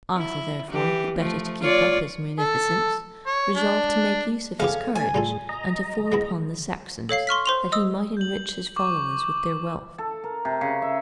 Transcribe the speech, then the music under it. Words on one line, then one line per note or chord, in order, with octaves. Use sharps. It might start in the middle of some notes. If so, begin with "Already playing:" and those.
Arthur, therefore, the better to keep up his munificence, resolved to make use of his courage, and to fall upon the Saxons, that he might enrich his followers with their wealth.
E4
E3 G4
F3 A3
F4 C#5 D5
A4
C#5
D4
G#3 B3 C#4 G4 A4 F5
A3 G#5 A5
A2 G3 F4 G#4 A4
D#5 A#5
G#3 B3 E4
A4 C#5 F5 C7
C6 C#6 F6 B6
C5 C6 F7
D#5 D#6 E6
G6 F#7
C#6 D6
A4
A#4
C3
C#3
E5